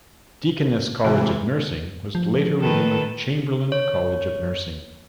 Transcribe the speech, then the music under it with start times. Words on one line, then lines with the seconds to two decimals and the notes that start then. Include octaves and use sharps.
Deaconess College of Nursing was later renamed Chamberlain College of Nursing.
1.04 C3 E3 G#3 A3 F#4
2.15 F3
2.59 D#3 A4 B4
3.72 C#5